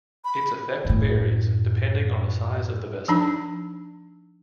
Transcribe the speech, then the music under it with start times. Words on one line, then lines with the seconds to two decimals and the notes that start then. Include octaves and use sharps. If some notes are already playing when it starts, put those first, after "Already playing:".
Its effect varies, depending on the size of the vessel.
0.25 B5
0.85 F#2 A2
3.08 F3 D4 D#4